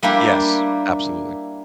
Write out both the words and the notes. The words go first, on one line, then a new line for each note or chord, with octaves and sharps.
Yes, absolutely.
G3 A#3 D4 E4 G4